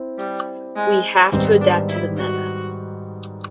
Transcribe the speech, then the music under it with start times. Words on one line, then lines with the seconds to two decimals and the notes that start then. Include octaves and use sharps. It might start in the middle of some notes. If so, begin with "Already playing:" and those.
We have to adapt to the meta.
Already playing: C4 E4
0.18 G3
0.76 G#3
1.32 G#2 D#3 G3 B3 C4 D#4
1.61 D4
1.88 E4
2.17 F#4